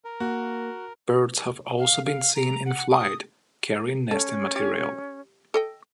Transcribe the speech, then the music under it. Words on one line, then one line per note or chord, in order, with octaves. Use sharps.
Birds have also been seen in flight carrying nesting material.
A#4
A#3 F#4
F5
F5
A#5
F#5
D#6
C#4 A4
G4
A4 D#5 G5